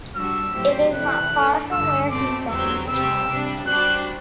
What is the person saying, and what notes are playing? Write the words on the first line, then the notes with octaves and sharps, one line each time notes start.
It is not far from where he spent his childhood.
G3 D4 F#4 E6
A2 F#3 C4 G4 C5
C3 E3 A3 C4 E4 F#6
E3 A3 D4
G2 D3 A3 E6
B2 A3 C4 D6
E2 D3 F#3 C4 G4 E6
C3 G3 C4 G4 E6
C3 G3 D4
G3 D4 F#4 C5 F#6